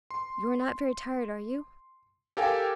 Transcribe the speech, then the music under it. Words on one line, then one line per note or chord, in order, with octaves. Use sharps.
You are not very tired, are you?
C6
G4 A4 A#4 F5 G5 G#5